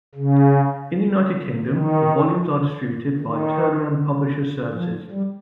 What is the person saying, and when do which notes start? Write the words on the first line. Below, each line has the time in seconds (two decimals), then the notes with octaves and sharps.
In the United Kingdom, the volumes are distributed by Turnaround Publisher Services.
0.15 C#3
1.67 D#3
3.20 D#3
4.73 F3
5.11 G3